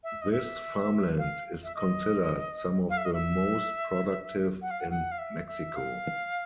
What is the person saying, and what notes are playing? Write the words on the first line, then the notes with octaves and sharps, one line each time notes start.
This farmland is considered some of the most productive in Mexico.
E5
D#5
E5
F5
E5
D#5
F5
E5
D#5
E5
F#5
F5
F#5
F#5
F5
E5
E5
F5